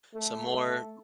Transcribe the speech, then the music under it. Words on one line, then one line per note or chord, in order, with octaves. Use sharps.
so more m
A3
A3